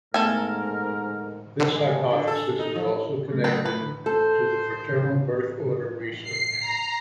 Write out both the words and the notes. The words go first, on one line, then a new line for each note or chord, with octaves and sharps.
This hypothesis is also connected to the fraternal birth order research.
G#2 A3 B3 A4 A#4 D#5 G#5
C3
G#3
A2
D3
A4
D#4
F3
C#3 F#3 A3
B3 C4 G5
A3 B4
D3
A4 C5
C7
A#5